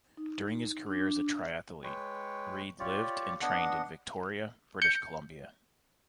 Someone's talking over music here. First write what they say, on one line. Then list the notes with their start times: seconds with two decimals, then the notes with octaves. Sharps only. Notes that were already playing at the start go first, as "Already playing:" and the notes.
During his career as a triathlete Reid lived and trained in Victoria, British Columbia.
0.17 D#4
0.86 D4
1.84 G#3 B4 C#5 G5
2.79 F4 G4 C#5 D5
3.42 B3 D4 D#5 F#5
4.82 G6 C#7